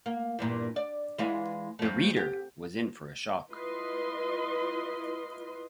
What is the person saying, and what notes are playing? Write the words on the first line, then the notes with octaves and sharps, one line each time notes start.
The reader was in for a shock.
A#3
E2 G2 A#2
D5
E3 G#3 F4
F2 A3
G4
E4 F4 B4 D#5 C6